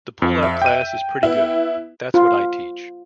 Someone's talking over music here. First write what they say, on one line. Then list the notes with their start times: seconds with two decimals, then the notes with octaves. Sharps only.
The pullout class is pretty good, that’s what I teach.
0.22 F2
0.43 E5
0.62 G5 D#7
1.23 B3 E4
2.14 F4